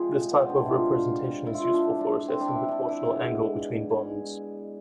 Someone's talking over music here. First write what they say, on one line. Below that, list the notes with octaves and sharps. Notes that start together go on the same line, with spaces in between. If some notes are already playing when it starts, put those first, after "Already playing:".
This type of representation is useful for assessing the torsional angle between bonds.
Already playing: C3 F3 G#3 F4 G#4
B3
C4
D4
E4
F4
E4
F4
E4
D4
D4
C4
D4
E4
D4
E4
B2 G#3
G#4